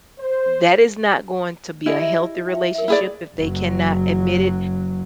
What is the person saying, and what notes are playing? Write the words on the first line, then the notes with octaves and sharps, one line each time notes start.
that is not going to be a healthy relationship if they cannot admit it
C5
E4 G4 D5 D#5 G#5
G#4 E5
E5 G5
A#4 E5
E4 G#4 D5
F#1 F#3